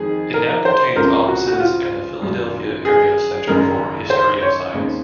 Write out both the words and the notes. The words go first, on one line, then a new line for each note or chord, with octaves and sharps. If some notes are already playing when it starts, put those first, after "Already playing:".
It now contains offices and the Philadelphia Area Center for History of Science.
Already playing: F2 D#3 G#3 C4 D#4 G#4
A#4
C5
C#2 C#3 F3 C4 A#4
F#4
F#4
F4
G#1 F#2 C#3 F#3
G#4
G#1 F#2 C#3 G#3 A#4
C5
C#5
D#2 C#3 G#3 C4 D#4